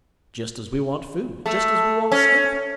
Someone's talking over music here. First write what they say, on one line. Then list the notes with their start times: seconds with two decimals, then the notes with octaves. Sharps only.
Just as we want food, just as we want sleep.
1.46 A3
2.12 C#4